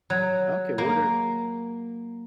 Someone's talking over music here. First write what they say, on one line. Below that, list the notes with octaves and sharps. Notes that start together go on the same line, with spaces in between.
Okay, what are
F#3
A#3